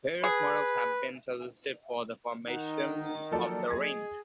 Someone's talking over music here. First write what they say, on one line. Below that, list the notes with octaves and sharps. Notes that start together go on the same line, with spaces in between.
Various models have been suggested for the formation of the ring.
G#4 B4
D#3 D#4 A#4 F#5
F3 F#3 A#3 A4 D5
G#4 D#5 G#6